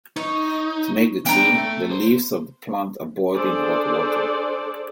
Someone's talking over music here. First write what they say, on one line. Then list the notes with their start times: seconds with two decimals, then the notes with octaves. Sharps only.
To make the tea, the leaves of the plant are boiled in hot water.
0.16 D#4 C#5
1.26 B3 D4 G5 A#5
1.55 A3
1.91 C5
3.34 D4 G#4 A4 C5 D5